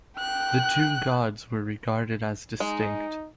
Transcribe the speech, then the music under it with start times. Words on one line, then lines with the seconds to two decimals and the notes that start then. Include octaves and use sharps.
The two gods were regarded as distinct.
0.19 G5 F#6
2.60 G#3 D#4